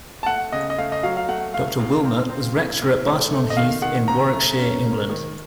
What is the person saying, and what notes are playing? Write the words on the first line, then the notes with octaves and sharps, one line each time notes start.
Doctor Wilmot was rector at Barton-on-Heath in Warwickshire, England.
A5
A3 F#5
C#3 D#5
D#5
A3 F5
D#5
F#3 F5
F5
A3 F#5
A3 F5
A2
C4
C4
A2
A2
A3
A3
D#5
D#3 F5
D#3 F#5
C#3 A#5
A3
C#4
A#3
D#3